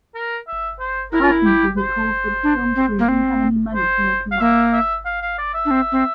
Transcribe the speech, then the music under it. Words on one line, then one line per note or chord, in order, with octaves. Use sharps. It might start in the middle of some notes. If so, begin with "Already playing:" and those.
Carpenter recalls that the film crew didn't have any money to make a mask.
A#4
E5
C5
E4 A#4
F4
E4
G4
C5
D4
C4
A#3
C4
C5
F5
A#3 E5
E5
F5
F5
D5
E5
D4
C4
C4